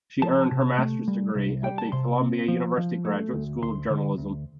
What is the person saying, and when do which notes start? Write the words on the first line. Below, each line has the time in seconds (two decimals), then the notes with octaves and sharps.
She earned her master's degree at the Columbia University Graduate School of Journalism.
0.22 F3 A5
0.51 C3
0.79 A3
1.08 G3
1.35 C2
1.63 G3 G5
1.78 A5
1.92 C3 C6
2.21 C4
2.48 F3
2.78 F3
3.05 A3
3.33 D2
3.62 D2 C6
3.90 D3
4.18 D2